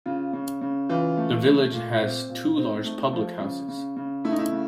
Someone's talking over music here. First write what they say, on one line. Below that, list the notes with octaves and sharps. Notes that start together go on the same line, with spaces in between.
The village has two large public houses.
C#3 F4
C#3
C#3
E3 F4
A3
A3
A#2
C4
A#2
C4 D#4
A3
F3
C#3
C#3
C#3
A3 E4
D#4
E4
C#3